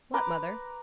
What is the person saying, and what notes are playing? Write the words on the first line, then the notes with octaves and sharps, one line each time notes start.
"What, mother?"
B4 A#5 D6